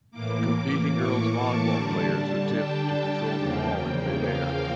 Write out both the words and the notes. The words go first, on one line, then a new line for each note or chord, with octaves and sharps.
Competing girls volleyball players attempt to control the ball in midair.
A2 E3 A#3 D6
D6
C#6
A5
D3 G3 D4
G5
E2 C#3 F3 A#3
F5